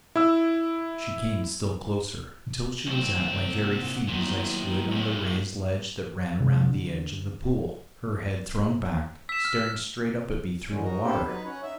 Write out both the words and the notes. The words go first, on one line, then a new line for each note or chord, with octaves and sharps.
She came still closer, until she was at my very feet as I stood on the raised ledge that ran around the edge of the pool, her head thrown back, staring straight up at me through the water.
E4 E6
C2 D#3 F#3 A3 C4
A#2 F#5
A#2 D#3 F#3 B3 E4
B1 A2
C3 D#3 G#3
D3
E6 B6 E7
F6
D3 E3 G#3 C#4
D#4 F#4 A#4
B3 C4 D4 G4 A4 C5
F#3 D#4 B4
C#4 C#5 F#5
D#4 E5